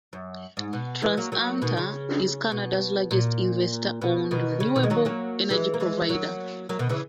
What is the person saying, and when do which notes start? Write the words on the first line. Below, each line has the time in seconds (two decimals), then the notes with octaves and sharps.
TransAlta is Canada's largest investor-owned renewable energy provider.
0.13 F#2
0.57 G#2
0.73 B2
1.02 E3 G#3
1.17 F#3 A#3
1.32 F#3 A#3
1.62 B2 D#3
1.77 C#3
2.51 B2
3.11 A#2
4.02 B2
4.31 B2 D#3
4.60 C#3
4.76 B2 D#3
4.83 G#3
4.90 D#3 F#3
5.05 F#3 A#3
5.50 E3 G#3
5.74 A#3
5.80 E3 G#3
6.09 F#3 A#3
6.69 F#3 A#3
6.79 B2 D#3
6.89 C#3 E3